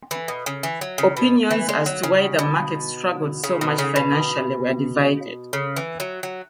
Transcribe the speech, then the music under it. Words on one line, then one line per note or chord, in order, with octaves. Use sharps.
Opinions as to why the market struggled so much financially were divided.
E3
B2
C#3
E3
F#3
C#3
B2
E3
G#3
F#3
C#3
B2
C#3
B2
C#3
B2
C#3
E3
F#3
F#3